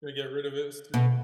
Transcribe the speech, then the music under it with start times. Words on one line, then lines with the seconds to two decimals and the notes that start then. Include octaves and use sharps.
Gonna get rid of it soon.
0.94 B2